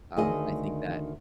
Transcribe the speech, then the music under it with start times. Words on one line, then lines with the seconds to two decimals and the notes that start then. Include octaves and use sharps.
um, I think that
0.17 D2 D#3 G#4 D#5